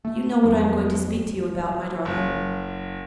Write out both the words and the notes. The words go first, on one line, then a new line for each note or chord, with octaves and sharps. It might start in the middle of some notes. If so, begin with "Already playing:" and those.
"Do you know what I am going to speak to you about, my darling?"
A3
F2 F#3 G#3 B3
F#1